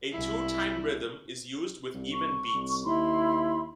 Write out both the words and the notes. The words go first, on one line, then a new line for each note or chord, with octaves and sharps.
A two-time rhythm is used with even beats.
C2 E4
C2
C#6
C2
D#2 E4 B5 C6